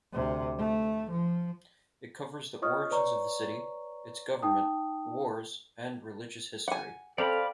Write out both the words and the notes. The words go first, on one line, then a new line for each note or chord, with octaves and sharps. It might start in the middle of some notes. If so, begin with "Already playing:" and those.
It covers the origins of the city, its government, wars and religious history.
D2 C3
A3
F3
F4 C#5 D#5 C#6 D#6 F6
B4 C#5 D5 A#5 C#6
D#4 G5 A5 D#6
F#5 G#5
C4 A4 D5 F5 B5